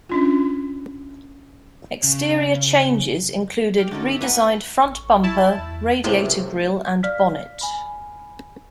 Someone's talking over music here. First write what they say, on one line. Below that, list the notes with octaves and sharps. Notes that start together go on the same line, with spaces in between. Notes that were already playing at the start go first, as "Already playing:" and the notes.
Exterior changes included redesigned front bumper, radiator grille and bonnet.
C#4 D4 F4
C#3
G5 D6 F6
D3 C#4 D#4 F#4 A6
G1 E5 D6
B4 F#5 G#5 A#5
A1 C#6
E4 A5
E2 A6
C#2 A2 C3 E4 C5
D5 F5 F6 B6
G#5 B5